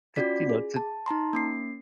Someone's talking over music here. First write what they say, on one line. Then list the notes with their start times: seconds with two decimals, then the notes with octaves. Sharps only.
to, you know, to
0.16 C#4 F4 F#4 D5 B6
0.49 G#4
0.76 A5
1.06 D#4 A5 A#5 C6
1.33 A#3 C#4 C7